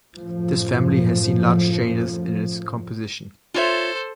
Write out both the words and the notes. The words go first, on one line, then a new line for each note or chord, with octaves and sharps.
This family has seen large changes in its composition.
F#2 A2 F3
F4 A4 C5 C#5 E5